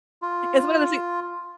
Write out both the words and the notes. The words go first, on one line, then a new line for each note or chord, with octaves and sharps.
It's one of those thi
F4